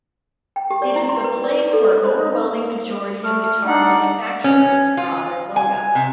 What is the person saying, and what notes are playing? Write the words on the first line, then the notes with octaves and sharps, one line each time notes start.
It is the place where overwhelming majority of guitar manufacturers draw their logo.
G5
G4
D5
E4
C6
B4
D5
D5
A4
C#5
C5
A3 F6
D4 D#4 F#5
C#4
F4
G#5
C3